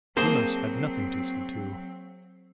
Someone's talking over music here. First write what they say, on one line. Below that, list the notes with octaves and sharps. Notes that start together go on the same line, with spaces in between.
Wemyss had nothing to see to.
F#3 A#3 C4 G#4 C5 A5